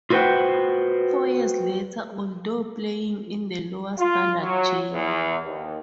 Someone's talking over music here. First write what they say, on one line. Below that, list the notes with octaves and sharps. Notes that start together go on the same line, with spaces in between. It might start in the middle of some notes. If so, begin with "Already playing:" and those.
Four years later, although playing in the lower standard J.
F4 F#4 B4 C5 F#5 G5
F4
F#3
E2
D#2